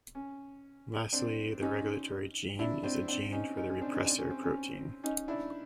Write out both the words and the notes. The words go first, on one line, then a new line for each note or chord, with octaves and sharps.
Lastly, the regulatory gene is the gene for the repressor protein.
C#4
C4 D4
C#4 D#4
D4 E4
C4 D4
C4 D4
C#4 D#4
C#4 D#4
C#4
C4 D4
C#4 D#4
C4 D4
C#4
C4
C#4
C#4 D#4
D4 E4